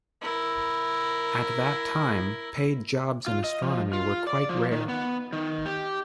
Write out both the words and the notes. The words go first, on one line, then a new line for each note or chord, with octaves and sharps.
At that time, paid jobs in astronomy were quite rare.
E4 A#4
F4
D#5
F3
F4
D5
F3
D#3
B3
D#3
G4